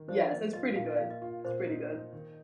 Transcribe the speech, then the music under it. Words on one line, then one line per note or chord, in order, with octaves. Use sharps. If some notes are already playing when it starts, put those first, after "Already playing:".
Yes, so, it's pretty good. It's pretty good.
Already playing: D#3
F3 C5
A#3 D#5
F4 D#5
A#2 F5
D#5
A#3 F5
D#5
F4
A#2 C5
D#4
D#4
D#3